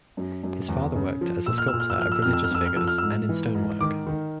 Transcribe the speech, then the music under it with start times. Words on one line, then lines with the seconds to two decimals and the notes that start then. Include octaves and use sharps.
His father worked as a sculptor of religious figures, and in stone work.
0.17 F#2
0.43 F#2
0.68 E2
0.95 C#3
1.21 F3
1.46 A#2 E6
1.58 F6
1.68 A#2 E6
1.80 F6
1.90 E6
1.99 F3 F6
2.12 E6
2.22 F2 F6
2.33 E6
2.44 F6
2.51 F2 E6
2.66 F6
2.76 F3 E6
2.88 F6
2.98 G#2 E6
3.29 E3
3.55 G#2
3.81 D#3 D6
4.07 D#3